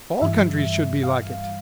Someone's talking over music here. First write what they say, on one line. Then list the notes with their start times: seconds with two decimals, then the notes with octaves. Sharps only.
All countries should be like it!
0.22 G2 E3 G3 E5
1.03 F5